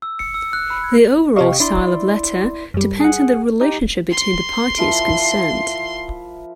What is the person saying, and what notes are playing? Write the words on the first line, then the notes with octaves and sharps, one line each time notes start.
The overall style of letter depends on the relationship between the parties concerned.
E6
C#7
E6
F#6
B5
G#6
C3 G4 D#5 F5 C#6
D4 E4 D5 C6
F#2 G3
G#4 F#5
D#4 G4
C6
F3 E4 A#4